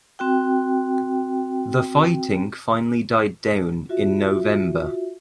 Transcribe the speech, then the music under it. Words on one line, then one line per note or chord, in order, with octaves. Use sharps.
The fighting finally died down in November.
C4 F#4 G5
F4 F#4 E5